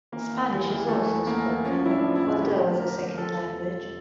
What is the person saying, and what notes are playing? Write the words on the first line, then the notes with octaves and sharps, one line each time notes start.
Spanish is also spoken, although as a second language.
E3 A#3
E2
E3 G3
E3
E3 A3
E2
E2 A#3
E2
F3 C#4
A2 E4
D4
F3
E4
A1
D2 G4
D2
D2 A#4
D2
F3 A4
E1
F3
E1